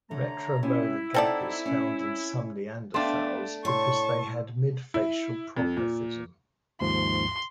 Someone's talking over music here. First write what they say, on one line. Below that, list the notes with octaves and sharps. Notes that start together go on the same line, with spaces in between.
Retromolar gap is found in some Neanderthals because they had midfacial prognathism.
D3 A3 C#5 A#5
C3 C#4 E4
C4 D#4 A4 D5 F#5
C#4
A3 B3 D4 F5 G5 C6
A2 C#5 A5 C6 C#6
E4
F2
A#2
D#2 G#2 F3 C6